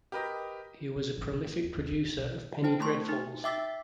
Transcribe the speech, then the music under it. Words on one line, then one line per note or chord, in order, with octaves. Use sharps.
He was a prolific producer of penny dreadfuls.
G4 A#4 B4 D#5
C3
A1
C3
D#4
E2
D#2
C#3
B1
E4 C5 G5 A5
A3 A5 C6 C#6
D#4
E5 G5 D6 E6 A6 B6